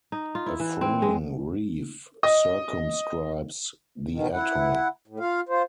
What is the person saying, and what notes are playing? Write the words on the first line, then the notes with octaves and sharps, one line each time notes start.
A fringing reef circumscribes the atoll.
D#4
F4
E4
E3
C4
G#3
D#5
B2 D#3
E4 F#5
A2
F4 F5
F4 C5